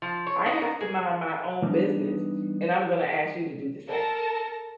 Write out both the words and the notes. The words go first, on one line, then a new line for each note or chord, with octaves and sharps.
I have to mind my own business and I'm gonna ask you to do the same.
F3
C#5
D#4
A#4
G#4
E3 G3 B3 D4 D#4
A4 A#4 A5 A#6